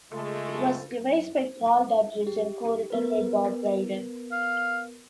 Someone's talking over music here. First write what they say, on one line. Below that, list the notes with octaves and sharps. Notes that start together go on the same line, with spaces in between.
It was devised by Paul Duddridge and co written with Rob Brydon.
C#3 G#3 A3 F4 A4
G4
B3 A#4 B4
F5